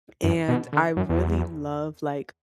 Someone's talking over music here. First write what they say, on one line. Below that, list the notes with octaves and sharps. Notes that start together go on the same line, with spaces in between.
and I really love, like,
F#2
B2
D3
F#2
E2